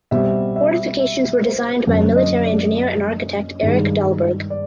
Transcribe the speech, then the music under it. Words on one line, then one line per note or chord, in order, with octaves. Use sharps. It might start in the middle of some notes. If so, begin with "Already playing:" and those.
Fortifications were designed by military engineer and architect Erik Dahlberg.
B2 G3 C4 E5
E5
E5
C5
F#2 D3 F#3 A#3
D#5
D5
G2 D#3 G#3
D5